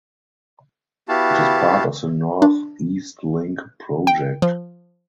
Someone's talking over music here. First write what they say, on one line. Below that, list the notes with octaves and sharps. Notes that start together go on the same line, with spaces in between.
It is part of the North East Link project.
B3 E4 F#4 G4 F5 A5
D4
G5
F3